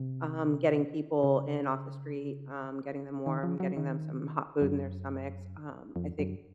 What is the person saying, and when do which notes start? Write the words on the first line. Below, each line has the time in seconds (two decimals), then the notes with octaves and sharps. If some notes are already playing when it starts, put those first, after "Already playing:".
um, getting people in off the street, um, getting them warm, getting them some hot food in their stomachs, um, I think
Already playing: C3
1.23 C#3
3.26 D#3
3.43 F3
3.60 F#3
3.77 D#3
4.62 F#2
5.96 F2
6.19 F#2